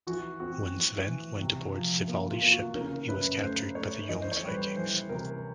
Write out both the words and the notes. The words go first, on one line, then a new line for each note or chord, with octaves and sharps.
When Sweyn went aboard Sigvaldi's ship, he was captured by the Jomsvikings.
E3 F#4
C4 F#4
E3
E3
C3
F3
A#3
F4
A#3
F#4
C#3 A#4
F#2 B4
A3 C5
A3 C#5
E3 D#5
C5
C#5
G3 B4
C5
E3 C5
C3 A#4